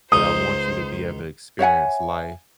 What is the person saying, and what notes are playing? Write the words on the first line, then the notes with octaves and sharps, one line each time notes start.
but I want you to be able to experience life
C#2 D#4 C5 D#6
C#5 E5 F#5 G#5